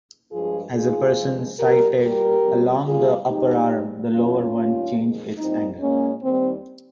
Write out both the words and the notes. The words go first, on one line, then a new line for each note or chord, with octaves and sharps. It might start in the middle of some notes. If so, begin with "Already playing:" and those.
As a person sighted along the upper arm, the lower one changed its angle.
G2 F3 G#3 F4 G#4
D#2 D#3 G#3 F4 G#4
G2 F3 G#3
A#2 G3 G4 A#4
A#2 G3 G4 A#4
F2 C3 G3
A#2 G3 F4 G#4
F2 D#3 G#3 D#4 G4
G#2 G3
F2 C3 G3 C#4 F4
G2 D#3 G3
F2 D#3 G#3
A#2 G3 C4 D#4
A#2 G#3 A#3 C#4
D#2 D#3 G3 C4